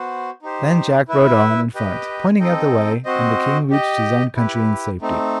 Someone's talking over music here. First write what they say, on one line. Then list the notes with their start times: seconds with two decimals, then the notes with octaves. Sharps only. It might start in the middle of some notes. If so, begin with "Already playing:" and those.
Then Jack rode on in front pointing out the way, and the King reached his own country in safety.
Already playing: B3 F#4 C5
0.42 D#4 G4 C5
1.08 E4 B4 E5
1.74 G4 B4 D#5 G5
2.40 C4 D#4 A4 D#5 G5
3.05 C4 F#4 C5 D#5
3.70 G4 D#5 G5
4.36 E4 G4 B4
5.01 A3 C4 D#4